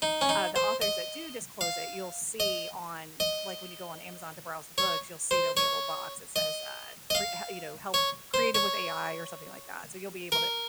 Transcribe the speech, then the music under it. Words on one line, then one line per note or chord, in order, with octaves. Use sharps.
uh, the authors that do disclose it, you'll see on like when you go on Amazon to browse the books, you'll see there'll be a little box that says, uh, "Cre huh you know, helped created with AI" or something like that. So you'll be able to
D#4
C#4
D#4
C5
D#5
F5
D#5
D#5
C#5
C5
C#5
D#5
D#5
F5
C#5
C5
C#5
A#4